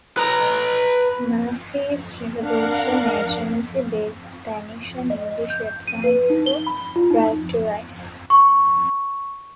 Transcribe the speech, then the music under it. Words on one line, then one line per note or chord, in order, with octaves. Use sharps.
Murphy's Revolution Agency built Spanish and English websites for Right to Rise.
B4 A#5
D4 A#4 F5 F#5
D#5
G6
D#7
B4
D#4
G7
B5
F4
D#4
C#6